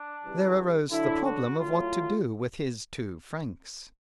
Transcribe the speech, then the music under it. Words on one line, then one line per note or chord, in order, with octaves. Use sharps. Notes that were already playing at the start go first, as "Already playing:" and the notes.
There arose the problem of what to do with his two francs.
Already playing: D4
C#3 E3 G3
D3 F#3 E4
F#4
A2 F#3 F4